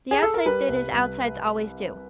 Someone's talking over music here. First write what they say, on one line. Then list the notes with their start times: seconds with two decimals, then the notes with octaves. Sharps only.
The outsides did as outsides always do.
0.11 G#4
0.23 A4
0.34 A#4
0.46 G3 B4
0.68 C2
0.90 C2